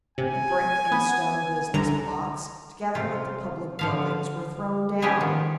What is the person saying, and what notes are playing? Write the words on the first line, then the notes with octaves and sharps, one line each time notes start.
The brick and stone business blocks, together with the public buildings, were thrown down.
C3 G#5
B3
C2 D3 A#5
C3 F4
D3 F3 F5
F3 B3 E4 G4 G#4
D#3